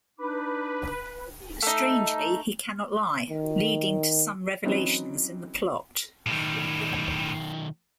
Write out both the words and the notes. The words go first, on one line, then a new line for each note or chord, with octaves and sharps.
Strangely, he "cannot lie," leading to some revelations in the plot.
D4 D#4 B4 D6
A3 D#4
D#3
E3 F#3 C4 C#4 D#4 E4
B1 A2 D#3 G3